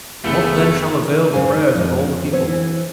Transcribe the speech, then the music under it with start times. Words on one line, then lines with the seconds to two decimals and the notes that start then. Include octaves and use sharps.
What, then, shall avail the prayers of All the People?
0.24 F#1 E3 A3 B3 G#4 G7
1.33 G#2 C#3 A3 C5 F5 G#5
1.54 D#4
1.71 F2 A#2
2.31 E3 B3 C4 C#5
2.47 E3 E4